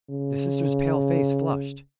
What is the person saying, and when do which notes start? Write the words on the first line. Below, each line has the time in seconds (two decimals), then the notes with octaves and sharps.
The sister's pale face flushed.
0.10 C#3